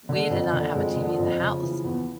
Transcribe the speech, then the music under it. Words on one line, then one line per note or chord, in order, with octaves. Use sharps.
we did not have a TV in the house.
D3
F2
D3
F2 G#3
D3
F3
F2
C#3
E3
E2